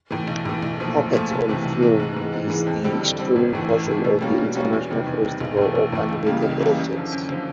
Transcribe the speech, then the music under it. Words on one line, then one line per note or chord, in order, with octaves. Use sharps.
Puppets on Film is the screening portion of the International Festival of Animated Objects.
A2 E3
B1
A2 E3
B1
A#2 F3 A3
B1
A#2 F3 A3
C2
C3 E3 A3
C2
C3 E3 A3
G#2
E3 G#3
G#2
E3 G#3
F2
D3 G3 C4
F2
D3 G3 C4
A1
A2 E3 A3
A1
A2 E3 A3
B2
G3 A#3 C#4 F#4
B2
G3 A#3 C#4 F#4
E2
C3 D#3 G3
E2
C3 D#3 G3
B1
A2 E3 A3
B1
A2 E3 A3
C#2
C#3 E3 G3 A#3
C#2
C#3 E3 G3 A#3
F#2
D3 F3
F#2
D3 F3